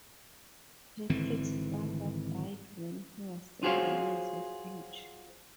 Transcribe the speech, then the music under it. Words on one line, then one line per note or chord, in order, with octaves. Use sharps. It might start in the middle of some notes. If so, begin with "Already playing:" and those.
Patrick's father died when he was seven years of age.
G#1 D3 E3 C4
F4 F#4 G#4 C5 C#5 F5